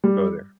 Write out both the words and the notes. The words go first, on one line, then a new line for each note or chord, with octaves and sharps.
Go there.
G3